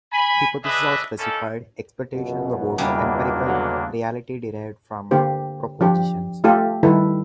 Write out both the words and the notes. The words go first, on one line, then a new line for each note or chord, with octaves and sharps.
Hypotheses are specified expectations about empirical reality derived from propositions.
G#5 B5
D4 G#4 B4 D#5 E5
A#3 C#4 D#4 E4 A4
C#2 F#2 B2
E2 C#3 G3 A#3 D4 E4
B2 D3 F#3
D3 A#3 D4 G4 C5
F3 D4 G4
A3 F4 G4 A4
D#3 G3 E4 A4 B4